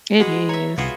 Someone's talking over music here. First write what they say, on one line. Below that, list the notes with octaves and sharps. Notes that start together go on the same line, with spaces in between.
It is.
G#3 F#4 B4 F#5
C#5 E5 A#5
C2 B3 F4 F#4 G#4